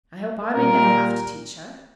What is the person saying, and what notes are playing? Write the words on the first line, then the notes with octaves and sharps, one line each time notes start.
"I hope I may never have to teach her."
A#2 G3 A#4